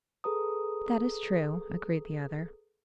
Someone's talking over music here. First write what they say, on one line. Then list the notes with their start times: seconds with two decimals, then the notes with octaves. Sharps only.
"That is true," agreed the other.
0.24 G#4 A4 B4 A#5 D#6